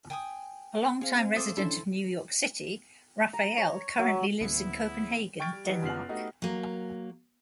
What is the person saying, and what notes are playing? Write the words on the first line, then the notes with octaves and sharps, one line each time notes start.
A long-time resident of New York City, Raphael currently lives in Copenhagen, Denmark.
G5 G#5 D#6
C4 G#4 F5
A4 C5 E5 D6 D#6
C#4 D4 E4 A4 C5
A#5
C#5
F#3
A1 D2 G3 A#3 B3 E4 G#4
G5 C#6 F6 G#6 A6 D7
G3
E3 G3 D#4 F#4
F#1 B3 F4 F6 C7 F#7
A3 B3 D#4 F#4 G4
F#3 A#3